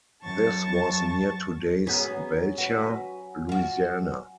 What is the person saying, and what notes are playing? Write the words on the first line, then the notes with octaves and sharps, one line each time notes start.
This was near today's Belcher, Louisiana.
F#2 A5 C#6 A6
F#3 B3 C#4 G#4 B4
F#4 B4
F4 F#4 F#5